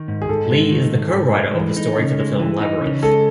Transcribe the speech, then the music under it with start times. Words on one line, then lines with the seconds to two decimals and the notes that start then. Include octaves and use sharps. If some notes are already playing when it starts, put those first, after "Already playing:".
Lee is co-writer of the story for the film "Labyrinth".
Already playing: D#3
0.08 G#2
0.22 G#4
0.29 G#2 A4
0.51 G#3
0.71 D#3
0.92 G#2
1.13 G#2
1.34 G#3
1.55 E3
1.77 D#4
1.98 C#3
2.19 G#3
2.39 E3
2.61 D#4
2.81 C#3
3.02 G#3 A4